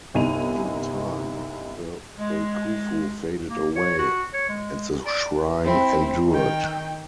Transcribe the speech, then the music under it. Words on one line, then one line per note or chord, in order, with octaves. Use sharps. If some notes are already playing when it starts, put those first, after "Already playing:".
In time, the bakufu faded away; and the shrine endured.
G1 C2 D#4 G#5 D#7 F7
G#3
A#3
C#5
F#4
C#5
G#3
D5
C4 E4
D#3 G5